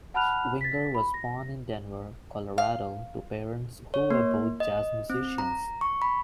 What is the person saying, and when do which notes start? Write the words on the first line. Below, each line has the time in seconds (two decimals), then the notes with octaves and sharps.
Winger was born in Denver, Colorado to parents who were both jazz musicians.
0.14 F#5 A5 B5 F6 F#6 F7
0.61 A6 B6
0.94 B5
1.14 A#6
2.58 F5
3.94 C#5
4.11 A#3
4.60 D#5
5.10 C4
5.38 A#5
5.81 C#6
6.02 B5